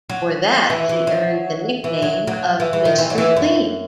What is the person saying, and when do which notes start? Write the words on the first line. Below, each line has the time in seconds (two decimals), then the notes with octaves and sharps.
For that he earned the nickname of Mr. Clean.
0.09 F#3
0.70 E3
0.89 E3
1.07 F#3
1.84 E3
2.02 F#3
2.27 F#3
2.60 E3
2.73 E3
2.85 D#3
2.98 E3
3.10 F#3
3.18 E3
3.37 F#2